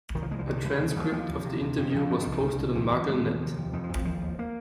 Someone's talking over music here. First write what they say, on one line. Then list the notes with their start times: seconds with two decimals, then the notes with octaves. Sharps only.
A transcript of the interview was posted on MuggleNet.
0.15 C2 D#3
0.23 F3
0.31 C2 G#3
0.39 F3
0.47 C3 D#3
0.64 C2
0.79 D#2 F3
0.91 D#3
0.96 D#2 F3
1.12 D#2 F3
1.29 D#2
1.44 C3
1.61 C3
1.77 F2 F3
1.89 D#3
1.94 F2
1.99 F3
2.10 A#2 F3
2.21 D#3
2.26 C2
2.32 D#3
2.42 C2
2.59 C2
2.75 D#2 F3
2.92 D#2
3.08 D#2 G#3
3.25 D#2
3.41 C3 F3
3.57 F2
3.73 F2 D#3
3.84 F3
3.89 F2
3.95 F3
4.05 D#2 F3
4.22 D#2
4.39 A#3